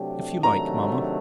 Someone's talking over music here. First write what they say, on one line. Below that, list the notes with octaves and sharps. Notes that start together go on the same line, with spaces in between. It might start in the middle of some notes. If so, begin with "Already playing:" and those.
"If you like, mama."
Already playing: C3 F#3 A3 D4 G4
C3 D#3 F#3 A3 D4 A#5